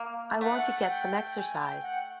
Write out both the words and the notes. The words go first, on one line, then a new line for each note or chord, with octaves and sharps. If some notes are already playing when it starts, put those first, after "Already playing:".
I want to get some exercise.
Already playing: A#3
A3 F#5
F#5
G5
G#5
G5
F#5